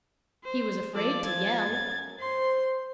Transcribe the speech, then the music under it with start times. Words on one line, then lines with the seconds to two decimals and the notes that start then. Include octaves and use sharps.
He was afraid to yell!
0.44 C5
0.94 F3 A4 D5
1.25 G#6 A6
1.66 F#2
2.20 C5 C6